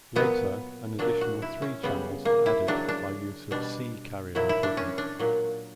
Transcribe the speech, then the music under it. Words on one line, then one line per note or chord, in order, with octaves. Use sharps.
Later, an additional three channels were added by use of C Carrier equipment.
A#2 F#3 B3
A#2 F#3 D4
F#4
E4
C#4
C#3 G3 B3
A#3
E4
C#3 F#3 D4
D4
B2 G3 D4
A#2 F#3 E4
E4
D4
C#4
D4
A#2 F#3